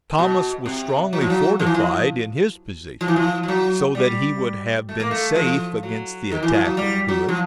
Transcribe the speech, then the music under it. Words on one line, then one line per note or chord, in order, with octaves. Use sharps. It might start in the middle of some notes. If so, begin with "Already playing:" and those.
Thomas was strongly fortified in his position, so that he would have been safe against the attack of Hood.
B2
C3
F#3
F3
F#3
F3
E3
F3
F3
E3
F3
F3
F#3
G3
A3
A#3
A3
F3
F#3
D#3
E3
F3
F#3
G3
F#3
F3